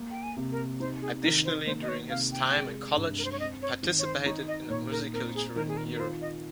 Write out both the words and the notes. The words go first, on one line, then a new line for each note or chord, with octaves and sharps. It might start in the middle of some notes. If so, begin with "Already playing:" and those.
Additionally, during his time in college, he participated in a musical tour in Europe.
Already playing: A#3
G5
G#5
C3
A#4
D#4 C5
G#4
D#3 A#4
C5
A#3 C5
D#5
C#5
C3 F5
G5
G#3
G2
A#4
C5
C#5
C4 D#5
C#5
D#3
C#5
C5
D#4 C#5
D#5
A#2 C#5
A#4
C4 A#4
G#4
D#3 A#4
G#4
A#4
A#4
F4 C5
D#5